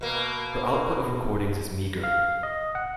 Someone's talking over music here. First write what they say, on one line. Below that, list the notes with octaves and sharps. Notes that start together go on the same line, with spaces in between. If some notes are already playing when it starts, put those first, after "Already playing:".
Her output of recordings is meager.
B2 A#3
F5
D#5
F#5